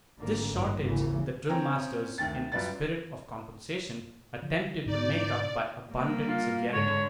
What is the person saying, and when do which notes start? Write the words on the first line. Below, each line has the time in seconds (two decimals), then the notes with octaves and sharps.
This shortage the drill-masters, in a spirit of compensation, attempted to make up by abundant severity.
0.17 G#1 G#2 D3 A#3
0.51 A1 G2
0.82 G#1 D#2 C#3 E3
1.49 C4 C#4 G5 A#5
2.18 D2 D#3 G5 A6
2.52 F#2 G3 F4 B4 D5 A6
4.42 D3 F3
4.86 G#2 B2 D3 D#4 D5
5.91 G3 A#3
6.28 F4
6.72 G#2 D3 G#3 C#5